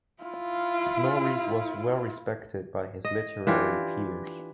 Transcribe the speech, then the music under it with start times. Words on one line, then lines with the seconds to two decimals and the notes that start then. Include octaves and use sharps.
Norris was well respected by his literary peers.
0.23 E4 F4
3.05 D#5
3.47 E3 D4 F4 G4